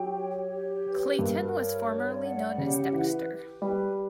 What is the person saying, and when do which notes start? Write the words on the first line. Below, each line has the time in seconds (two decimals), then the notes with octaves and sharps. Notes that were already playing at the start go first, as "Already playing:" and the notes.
Clayton was formerly known as Dexter.
Already playing: F#3 G4 G5
0.14 C#5
0.49 G4
0.84 B4
1.19 G2 A#4
1.54 C#5
1.88 D5
2.23 F#5
2.58 C#3 G4
2.93 E3 B4
3.27 G4
3.61 G3 B4